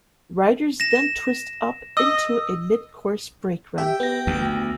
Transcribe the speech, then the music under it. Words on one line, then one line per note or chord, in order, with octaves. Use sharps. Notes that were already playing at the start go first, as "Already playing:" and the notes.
Riders then twist up into a mid-course brake run.
A#6 E7
D#5 E6
G4 E5 G5
B3 A#6
D2